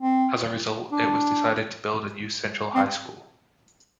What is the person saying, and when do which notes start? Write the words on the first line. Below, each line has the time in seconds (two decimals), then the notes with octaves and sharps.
As a result, it was decided to build a new central high school.
0.01 C4
0.92 D4
2.75 C4